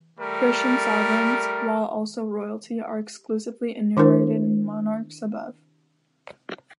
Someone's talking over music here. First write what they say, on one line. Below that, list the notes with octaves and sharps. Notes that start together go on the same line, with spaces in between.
Christian sovereigns, while also "royalty", are exclusively enumerated in "Monarchs" above.
G3 A3 A#4
D#3 D4 E4 A#4 C5